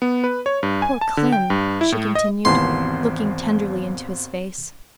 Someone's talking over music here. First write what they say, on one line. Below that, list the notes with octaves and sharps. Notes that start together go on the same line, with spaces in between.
"Poor Clym!" she continued, looking tenderly into his face.
B3
B4
C#5
G2
G#5
A5
D3
G5
G2
E4
A2
D#5
G#1 D#2 B2 E3 C4 E4 B4 C6